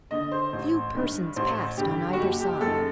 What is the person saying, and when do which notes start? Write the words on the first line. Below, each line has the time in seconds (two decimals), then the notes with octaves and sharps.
Few persons passed on either side.
0.11 D3 D#5
0.31 C5
0.53 A1
0.94 G2 D#3
1.36 A1 C5
1.77 G2 D3 G4
2.13 F#4
2.19 F#1 G4
2.40 G4
2.61 F#2 D#3 A4